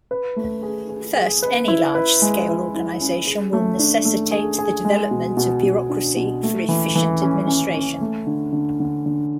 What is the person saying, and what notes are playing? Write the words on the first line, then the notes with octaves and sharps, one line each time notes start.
First, any large scale organization will necessitate the development of bureaucracy for efficient administration.
B4
A3
G#4
G#4
G#4
B4
E4
B4
G#3
B4
E4
C#4
G#4
A3
D4
A3
G#4
G#4
G#3
B2
B2
B2
D4
B2
A3
E3
E3
C#4
C#4
C#4
A3
D3
D3
D3
D3